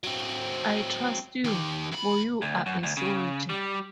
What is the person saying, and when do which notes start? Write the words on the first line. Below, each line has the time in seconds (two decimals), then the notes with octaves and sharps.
I trust you, for you are a soldier.
0.04 F#3 C4
1.44 D#3 G4
1.92 E2 B5
2.42 D2
2.66 F#2
2.83 D2
2.97 C#3
3.50 G3